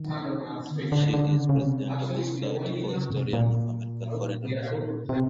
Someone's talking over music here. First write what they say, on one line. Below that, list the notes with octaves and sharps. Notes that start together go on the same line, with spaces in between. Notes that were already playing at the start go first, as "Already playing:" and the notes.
She is president of the Society for Historians of American Foreign Relations.
Already playing: D#3
D3
D3
D3
C#3
D3
C#3
C3
C#3
C3
B2
A#2
C#3
C3